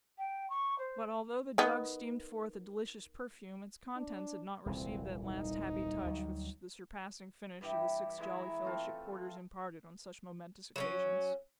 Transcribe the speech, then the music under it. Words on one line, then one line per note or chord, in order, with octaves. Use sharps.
But although the jug steamed forth a delicious perfume, its contents had not received that last happy touch which the surpassing finish of the Six Jolly Fellowship Porters imparted on such momentous occasions.
G5
C#6
C5
D#3 B3
D4
D#1 C2 E3 C4
D#4
D2 F#3 G3
G2 E3 G4
E3 G#3 E4 E5
A#5
A3 C4 F4
F#3 A#3 C#4